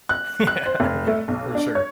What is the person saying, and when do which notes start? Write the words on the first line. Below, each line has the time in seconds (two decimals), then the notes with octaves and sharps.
Yeah. Yeah. For sure.
0.09 F#6
0.47 F#6
0.66 C5
0.80 F1
1.07 A3
1.28 B1
1.55 D4
1.75 C#5